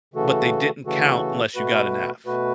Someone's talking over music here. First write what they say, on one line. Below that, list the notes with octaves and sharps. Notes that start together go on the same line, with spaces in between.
but they didn't count unless you got an F.
C#3 E3 A3 F#4 A4
C#3 E3 A3 F#4 A4
B2 A3 F#4 B4
B2 A3 F#4 B4